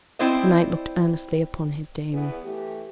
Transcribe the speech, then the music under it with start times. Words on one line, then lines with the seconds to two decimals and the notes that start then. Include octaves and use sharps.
The knight looked earnestly upon his dame.
0.19 C4 E4 C5 D5 D#5
2.12 E2 E3 B3 G#4
2.45 E3 A3 G4